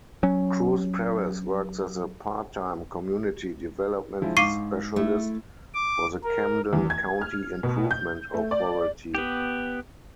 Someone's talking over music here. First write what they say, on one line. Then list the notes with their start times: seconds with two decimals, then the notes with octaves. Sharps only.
Cruz-Perez works as a part-time community development specialist for the Camden County Improvement Authority.
0.23 F#3 C#4
4.22 F3 G#3 D4 E4
4.37 G#2 G#3 F5 C#6 D6 C7 D#7
4.96 A3 E4
5.74 D6
6.24 A#4
6.73 E2
6.90 G#6
7.21 F6
7.63 B2
7.91 G6
8.34 A3
8.51 D5
9.15 B3 G4